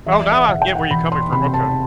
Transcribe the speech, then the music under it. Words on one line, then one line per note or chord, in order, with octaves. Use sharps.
Oh, now I get where you're coming from, okay.
E2 E5
D5
E5
E1 F#5
G5
F#5
E1 B5
C6
C3 B5
A5